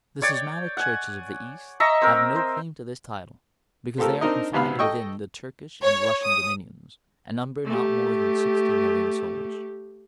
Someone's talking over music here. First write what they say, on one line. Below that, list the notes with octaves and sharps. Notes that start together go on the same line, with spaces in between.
The Schismatic churches of the East have no claim to this title because they are confined within the Turkish and Russian dominions, and number not more than sixty million souls.
C#5 D5 G5
F#5 G#5
D#5 E5 A#5 C#6
C4 A#4
C5
A3 C4 F4 G4 A4 A#4
C4 D4 D#4 A#4 D#5
G#1 C3 B3 F5 B5
A4 D#5 G5 C#6 E6
C#5
D#6
A3 G4